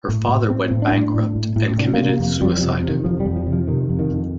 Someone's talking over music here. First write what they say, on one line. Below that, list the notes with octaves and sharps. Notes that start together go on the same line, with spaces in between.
Her father went bankrupt and committed suicide.
A2
A2
A2 C4
A2
D4
A2
A2
A2
A2
C3 D4
A#3
C3
A#3
F2
F2 G3
F3
C3
F3
C3
D#3
F2 F3
G3
F2
F3
C3
F3
C3 D#3
F2
D#3
F2